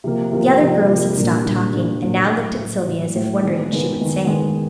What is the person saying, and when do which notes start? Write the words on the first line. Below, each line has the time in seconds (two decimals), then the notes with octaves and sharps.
The other girls had stopped talking, and now looked at Sylvia as if wondering what she would say.
0.04 C3 F3 A#3
0.32 C3 F3 A#3
0.60 C3 F3 A#3
0.89 C3 F3 A#3
1.17 A#2 G3 A#3 D4
1.45 A#2 G3 A#3 D4
1.73 A#2 G3 A#3 D4
2.01 A#2 G3 A#3 D4
2.30 A2 F#3 A3
2.58 A2 F#3 A3
2.86 A2 F#3 A3
3.15 A2 F#3 A3
3.43 D#3 G#3 B3
3.71 D#3 G#3 B3
3.99 D#3 G#3 B3
4.27 D#3 G#3 B3